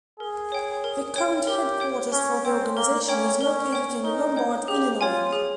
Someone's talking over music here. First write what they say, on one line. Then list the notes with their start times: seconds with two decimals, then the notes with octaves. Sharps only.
The current headquarters for the organization is located in Lombard, Illinois.
0.20 G#4 A#4
0.52 C#5 G5
0.84 A#4
1.16 C#5 G5
1.47 G4 A#4
1.80 C#5 G5
2.12 C#4 A#4
2.44 C4 C#5 G5
2.76 A#3 A#4
3.08 C#4 C#5 G5
3.41 C#4 A#4
3.72 C#5 G5
4.04 D#4 A#4
4.36 C#5 G5
4.68 G4 G#4
5.00 F4 C#5 G#5
5.33 G#4